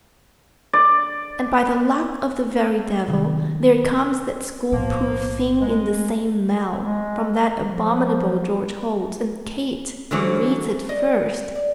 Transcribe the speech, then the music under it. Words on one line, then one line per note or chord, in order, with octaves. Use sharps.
And by the luck of the very Devil, there comes that school-proof thing in the same mail, from that abominable George Holt, and Kate reads it FIRST.
D5
C3 D#3 F#3
B1 A2 F3 A#3
G#3
G#3
F3
D3 E3 F#3 A3 C#4 C5
D5 D#5
D5